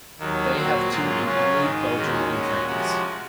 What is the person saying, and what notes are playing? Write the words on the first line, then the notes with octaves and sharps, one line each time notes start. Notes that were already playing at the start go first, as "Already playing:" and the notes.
They have toured in Italy, Belgium and France.
D#2 D#3 F#3
A#2 F#3 C4 F#4
G#2 F#3 A#3 F4
C#3 F#3 C#4 F4
G#2 D#3 G#3 D#4
D#2 D#3 G#3 C#4 F#4
A#2 G#3 C#4 F#4
C3 F3 G#3 C#4 F#4